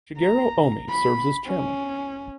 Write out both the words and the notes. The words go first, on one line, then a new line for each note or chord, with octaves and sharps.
Shigeru Omi serves as chairman.
A#5
B5
C#4